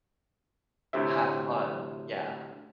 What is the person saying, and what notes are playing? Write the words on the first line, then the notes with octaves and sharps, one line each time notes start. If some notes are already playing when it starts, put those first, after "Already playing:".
have fun yeah.
D2 A2 C3 E5